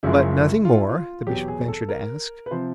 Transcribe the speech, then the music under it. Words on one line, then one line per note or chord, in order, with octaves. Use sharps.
"But nothing more?" the Bishop ventured to ask.
F#1 F#2 C#3 F3 G#3 E4
F4
E4
F4
E2 B2 F#3 G4
G#4
A4
A#4
B4
C3 F3 C5